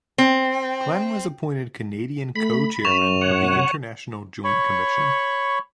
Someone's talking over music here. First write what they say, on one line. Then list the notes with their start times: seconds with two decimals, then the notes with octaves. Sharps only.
Glen was appointed Canadian Co-Chairman of the International Joint Commission.
0.18 C4
2.36 A3 B5
2.85 F#2 C#6 E7 F7
3.21 C#5 F#5
4.44 C#5 B5 C#6